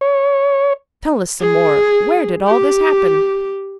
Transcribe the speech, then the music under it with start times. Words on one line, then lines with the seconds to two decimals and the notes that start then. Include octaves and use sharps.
"Tell us some more. Where did all this happen?"
0.01 C#5
1.40 G#4
2.47 G4